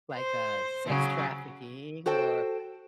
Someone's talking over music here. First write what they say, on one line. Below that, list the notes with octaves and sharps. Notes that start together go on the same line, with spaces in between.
like, uh, sex trafficking or
C5
C#3 F#3
F#4 A4 C5 G5